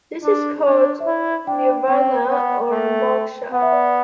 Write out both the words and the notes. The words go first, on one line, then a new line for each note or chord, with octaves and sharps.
This is called "nirvana" or "moksha".
D4
D4
E5
E4 D5
D4 G5
C4 G5
B3
A3
B3 F#5
E5
D5
D5